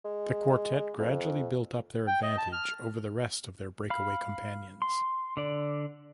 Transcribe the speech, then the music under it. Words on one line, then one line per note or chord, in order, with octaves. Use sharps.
The quartet gradually built up their advantage over the rest of their breakaway companions.
G#3
F2
G5
D#5
A5
F6
F5 B5
C6
D3 D5